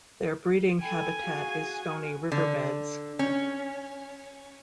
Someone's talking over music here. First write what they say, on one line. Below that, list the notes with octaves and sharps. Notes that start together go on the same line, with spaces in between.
Their breeding habitat is stony riverbeds.
A4 G5 G#5 B5
F#4 G#4 F5
F#4 F6
D3
C#4